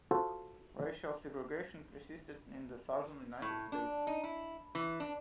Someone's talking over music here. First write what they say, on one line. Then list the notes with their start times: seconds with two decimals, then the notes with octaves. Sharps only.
Racial segregation persisted in the Southern United States.
0.11 F4 F#4 A4 C5 F5
3.42 A2
3.72 D4
4.07 D#4
4.24 E4
4.75 E3
5.00 D4